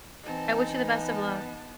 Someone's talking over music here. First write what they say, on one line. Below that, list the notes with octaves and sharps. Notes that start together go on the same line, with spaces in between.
I wish you the best of luck.
E3 C4 D#4 A5
B3 A5